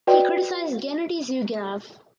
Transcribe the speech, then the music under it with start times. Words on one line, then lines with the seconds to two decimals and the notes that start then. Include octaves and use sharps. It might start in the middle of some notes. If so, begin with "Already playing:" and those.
He criticized Gennady Zyuganov.
0.07 F#4 B4 D5 D#5 G5